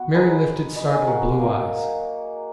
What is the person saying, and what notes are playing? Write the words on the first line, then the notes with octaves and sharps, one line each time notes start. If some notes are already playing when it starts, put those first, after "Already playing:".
Mary lifted startled blue eyes.
Already playing: B3 F#4
G#3 D#4 G#4 B4
B4 D#5
G#4
F#4 A#4
F#3 A#3 D#4